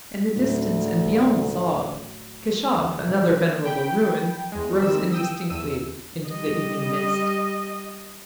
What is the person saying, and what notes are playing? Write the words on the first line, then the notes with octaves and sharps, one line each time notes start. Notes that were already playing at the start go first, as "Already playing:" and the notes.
In the distance and beyond the Zab, Keshaf, another venerable ruin, rose indistinctly into the evening mist.
D2 A2 F#3
A#2 D3 E3
G5 B5
E2 G#3
D#3 G3 C4 E6
G5 D#6 E6
E2 E6 D#7
G3 D#5